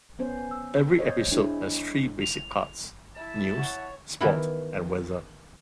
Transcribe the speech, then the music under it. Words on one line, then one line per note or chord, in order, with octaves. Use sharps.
Every episode has three basic parts: news, sport and weather.
B3 C#4 C5
E6
C5 C#5 D#5
G#3 D4 E4
F7
E4 A5
C#5 F#5
D#3 E3 B3 E4 G4